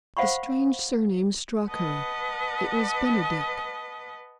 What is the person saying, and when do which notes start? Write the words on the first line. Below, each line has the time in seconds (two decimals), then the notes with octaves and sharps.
The strange surname struck her; it was "Bennydeck."
0.17 C5 F5 F#5 B5 C#6
1.70 B4 D#5 F#5 A5